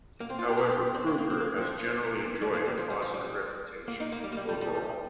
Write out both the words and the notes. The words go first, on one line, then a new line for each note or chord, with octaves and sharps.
However, Kruger has generally enjoyed a positive reputation overall.
A#3
C4
F4
G4
A#4
G4
C4
A#3
A#3
C4
A#3
F3
G3
A#3
G3
F3
G3
F3
G3
A#3
D#4
A#3
G3
A#3
G3
G3
G3